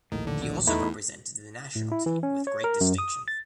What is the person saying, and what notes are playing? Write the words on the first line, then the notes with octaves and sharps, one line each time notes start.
He also represented the national team with great distinction.
A#1 D#2 A2 D#3
D3
E2 A3 D#4 E4
A2
E4
E3
C#4
C#5
A#4
F#2
D#6
A6